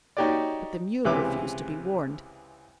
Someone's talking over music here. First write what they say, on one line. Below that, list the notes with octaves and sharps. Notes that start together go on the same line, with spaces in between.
But the mule refused to be warned.
D#4 F#4 G4 C#5 D5
C#2 C3 E3 B4 E5 D6